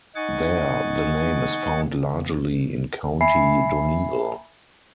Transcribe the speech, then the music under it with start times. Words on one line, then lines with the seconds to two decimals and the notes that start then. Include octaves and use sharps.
There the name is found largely in County Donegal.
0.16 D#4 D#5 F#5 G#5 C#6 A6
3.21 E5 G#5 B5 C7